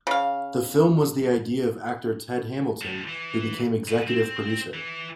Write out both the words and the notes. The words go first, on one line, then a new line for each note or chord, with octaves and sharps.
The film was the idea of actor Ted Hamilton, who became executive producer.
C#3 F5
A2 G3
E3
B2 B4
C4
E3